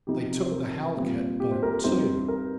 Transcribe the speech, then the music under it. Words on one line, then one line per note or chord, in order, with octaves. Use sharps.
They took the halkett boat too.
C3 F3 D#4 G4
C5
A#4
A#2 G3 C4 F4
G4
C5
A#4
A#4
G2 G3 C4 D#4 C5
A#4